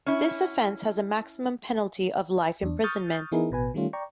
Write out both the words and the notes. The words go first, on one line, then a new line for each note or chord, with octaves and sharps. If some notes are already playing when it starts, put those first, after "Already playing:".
This offence has a maximum penalty of life imprisonment.
C#4 E4
E2 D4
C#6 D#6 F6 G6 A6
E3 B3 D#4 E4 G#4 A#4
A1 B2 B4 G#5
D#3 G3 A3 C#4 F4
D5 G5 A#5 C#6